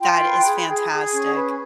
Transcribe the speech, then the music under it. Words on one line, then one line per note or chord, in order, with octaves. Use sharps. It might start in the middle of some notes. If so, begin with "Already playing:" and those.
That is fantastic.
F4 G5
B4
G#4
G#4
G#4
C#4
B4